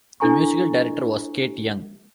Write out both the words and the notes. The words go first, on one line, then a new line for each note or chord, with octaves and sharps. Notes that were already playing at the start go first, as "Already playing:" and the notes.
The Musical Director was Kate Young.
D4 E4 A4 G#5 A#5 C#6